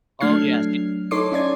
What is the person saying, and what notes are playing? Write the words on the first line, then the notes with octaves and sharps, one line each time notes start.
Oh, yes, ye
F#3 A3 D4 F6 G#6 C7
D#4 A4 C#5 C6 D6 C7
C#4 D#4 D5 G#6